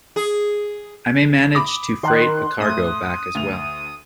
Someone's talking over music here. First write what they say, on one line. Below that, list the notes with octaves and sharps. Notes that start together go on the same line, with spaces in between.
I may manage to freight a cargo back as well.
G#4
B5 D6 D#6
D#3 C6 F#6
A2 D#6
D2 F7